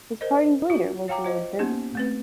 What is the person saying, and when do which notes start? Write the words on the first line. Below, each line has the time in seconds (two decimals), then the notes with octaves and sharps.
His party's leader was Lord Derby.
0.21 A#4 C5 D#5
0.70 F4 F#4
1.08 C#5 F5 G5 A#5 D6
1.24 F4 C5 D#5
1.59 A#3 B3 C#4 D#4 G4
1.95 A3 C4 B4